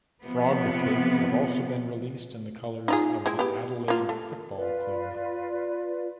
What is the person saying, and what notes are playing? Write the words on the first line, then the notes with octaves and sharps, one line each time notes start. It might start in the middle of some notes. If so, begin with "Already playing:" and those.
Frog cakes have also been released in the colours of the Adelaide Football Club.
C3 F3 B3
D#4 F4 G#4
G#3 E4 G5
B3 G4
A#3 F4
A3
F4 B4 D5